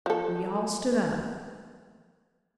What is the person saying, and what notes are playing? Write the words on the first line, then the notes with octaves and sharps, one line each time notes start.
We all stood up.
F3 A4